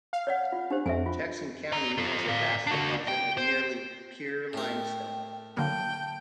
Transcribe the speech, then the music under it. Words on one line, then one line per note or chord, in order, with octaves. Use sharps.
Jackson County has a vast deposit of nearly pure limestone.
F5
C#5 D5 F#5
F4
D4 G4 C5
F2 E5 G#5
F4
D5 A#5
F4 A4
D5 F5
D4 F#4
G5
C5
A2 A#4 G5
D3 F#3 A#3 G5 A5